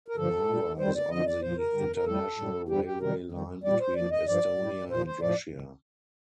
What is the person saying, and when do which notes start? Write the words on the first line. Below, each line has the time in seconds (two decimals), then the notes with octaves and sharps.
Narva is on the international railway line between Estonia and Russia.
0.08 A#4
0.16 G2 D3 F3 A4
0.47 A#2 G3
0.79 F2 D#3 G3 C5
0.95 D5
1.10 F2 D3 F3 D#5
1.26 D5
1.42 A#2 F3 C5
1.58 A#4
1.73 G2 D3 G3
1.96 A#4
2.05 A2 G3 A4
2.37 A2 G3
2.69 G2 D3 G3 G4
2.85 G4
3.00 F2 C3 D#3 G3 A#4
3.32 F2 D#3 G3
3.64 A#2 G3 D5
3.80 C5
3.95 A#2 F3 D5
4.11 D#5
4.26 G2 F3 D5
4.58 A2 G3
4.90 A#2 F3 C5
5.06 C5
5.22 A2 F3 D5